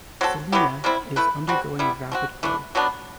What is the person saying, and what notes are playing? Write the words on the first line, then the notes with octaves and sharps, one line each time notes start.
Celina is undergoing rapid growth.
F#3 C4 F#4 A4
F#3 B3 E4 G4
C3 G3 C4 E4
A3 E4 B4
B2 G3 C4 F#4
G3 B3 E4
A3 C4 F#4
E3 A3 D4
B2 F#3 B3 D4